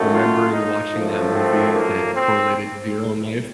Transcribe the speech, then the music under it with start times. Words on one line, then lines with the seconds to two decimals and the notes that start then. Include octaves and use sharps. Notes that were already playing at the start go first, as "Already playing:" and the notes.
remembering watching that movie that correlated to your own life?
Already playing: F#2 D#3 A3
0.12 F4
0.53 D#4
0.93 F#2 F3 A3
1.34 C4
1.74 A#3
2.14 C4